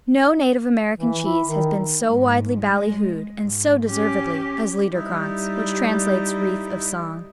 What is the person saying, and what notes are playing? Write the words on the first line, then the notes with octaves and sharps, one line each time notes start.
No native American cheese has been so widely ballyhooed, and so deservedly, as Liederkranz, which translates "Wreath of Song."
E3
E4
D#3
G#2
G#3
G#2
C#4 G4
G3 D#4 E4